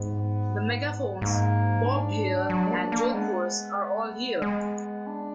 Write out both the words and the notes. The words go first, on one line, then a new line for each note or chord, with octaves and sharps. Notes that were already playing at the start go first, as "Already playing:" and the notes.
The megaphones, bobbed hair and jodhpurs are all here.
Already playing: G#2 B3
G#2 A#3
D4
F#3
G#3
A#3
A#3
G#3 B3
G#3
D4